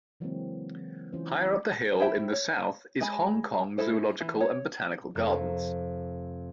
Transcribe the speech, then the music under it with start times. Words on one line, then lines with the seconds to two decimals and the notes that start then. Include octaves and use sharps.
Higher up the hill in the south is Hong Kong Zoological and Botanical Gardens.
0.20 C#3 E3 F#3 G#3 A#3 C4
1.13 E3 C#4 F4 C5
2.00 E4 G4 C5 E5 G5
2.33 C#5
3.01 G#3 G#4 G#5 B5
3.78 G#3 E4 A4 C5
4.21 E3
4.41 C#5
5.15 F1 F2 A#4